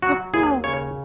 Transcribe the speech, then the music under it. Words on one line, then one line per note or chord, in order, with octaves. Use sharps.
Oh, cool.
F#3 F#4
D#2 G#4
C#3 C#5